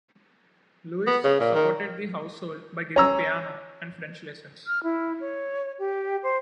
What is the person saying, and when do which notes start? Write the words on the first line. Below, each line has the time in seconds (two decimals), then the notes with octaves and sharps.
Luise supported the household by giving piano and French lessons.
1.07 B3
1.24 C#3
1.40 A#2
1.55 D#3
2.96 C#4 A#5 E6
4.67 F6
4.84 E4
5.21 C#5
5.79 G4
6.23 C5